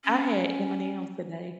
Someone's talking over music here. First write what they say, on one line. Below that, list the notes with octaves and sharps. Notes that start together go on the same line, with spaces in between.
I had M&M's today.
C#4